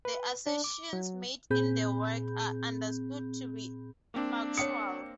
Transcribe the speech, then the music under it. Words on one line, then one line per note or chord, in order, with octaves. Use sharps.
The assertions made in the work are understood to be factual.
B4
D4
D6
F#3
A#2 C4 G#4 B5 G6
A#3 C4 D4
C#5 F#5 D#6 C#7